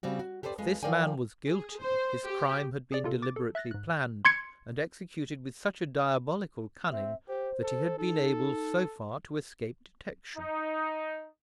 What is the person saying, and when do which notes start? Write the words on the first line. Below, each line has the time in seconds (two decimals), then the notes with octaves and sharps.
If this man was guilty, his crime had been deliberately planned, and executed with such a diabolical cunning, that he had been able so far to escape detection.
0.03 C#3 G3 C4 F#4
0.19 F#4
0.43 G4 A4 B4 C5 D5
0.58 F2 G#3 B4
0.83 F3 A#4 D5 G5 G#5
1.47 G#4
1.80 C5
2.26 G4
2.92 G#4 D5
3.04 C3 F4 A4
3.22 D6 A6
3.36 A4
3.55 E5 F#6 A6 A#6
3.71 G#2 F#6
4.25 C6 G#6 C#7
6.92 C4 E5
7.28 G4 C5
7.63 A4
7.99 D#4 A4
10.37 D#4